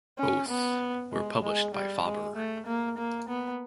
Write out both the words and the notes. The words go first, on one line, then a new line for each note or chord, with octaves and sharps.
Both were published by Faber.
C#4
B3
G#3
G#3
G3
G#3
A3
A#3
A#3
B3